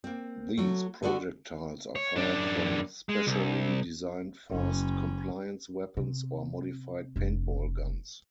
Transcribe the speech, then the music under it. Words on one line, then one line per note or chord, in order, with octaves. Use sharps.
These projectiles are fired from specially designed forced compliance weapons or modified paintball guns.
A#3 C4
F#3 A3
D3 B3 D4 F#4
C#5
F#2 D4
G#3
C2
F#1 C#4
C3
F1 D4